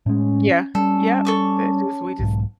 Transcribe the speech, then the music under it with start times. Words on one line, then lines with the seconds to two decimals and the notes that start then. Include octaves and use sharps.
Yeah, yeah, that just we just
0.06 A2 G#3 C#4
0.75 G3 C#4 A4
1.25 A4 C#6 D6
2.19 B1 G#2